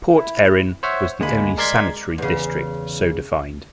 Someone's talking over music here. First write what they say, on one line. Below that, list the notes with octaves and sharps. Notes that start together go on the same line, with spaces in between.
Port Erin was the only sanitary district so defined.
E4
C5 C#5 E5 F#5
D2 G#3 A#3 G#5 B5
G#3 A#4 D5 C6 G#6 B6
E2 C#3